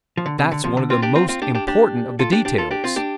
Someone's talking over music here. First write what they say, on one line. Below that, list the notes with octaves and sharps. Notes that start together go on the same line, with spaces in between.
That's one of the most important of the details.
F3
D3
C3
D3
C3 F3
D3
C4 F4
D4 G4
C4 F4
C4 F4
D4 G4
D4 G4
D4 G4
F4 A4
D4 G4
D4 G4
F4 A4
D4 G4
C4 F4
D4 G4